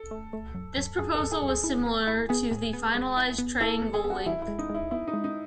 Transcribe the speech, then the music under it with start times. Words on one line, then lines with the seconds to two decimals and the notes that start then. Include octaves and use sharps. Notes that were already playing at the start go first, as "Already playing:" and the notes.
This proposal was similar to the finalized Triangle Link.
Already playing: A4
0.11 A3
0.33 A3
0.54 F#2
0.77 F#2
0.98 F#2 G#4
1.15 A4
1.20 F#2
1.31 G#4
1.42 F#2
1.48 G#4
1.64 E4
1.86 B3
2.07 E4
2.29 B3 G#4
2.51 A2
2.73 B3
2.95 G#3
3.17 E4
3.39 B3
3.61 E4 A4
3.82 B3
3.94 G#4
4.04 B3
4.10 F#4
4.26 E3 E4
4.42 E4
4.48 G#3
4.59 D#4
4.70 G#3 E4
4.91 B3 E4
5.08 D#4
5.14 G#3
5.24 D#4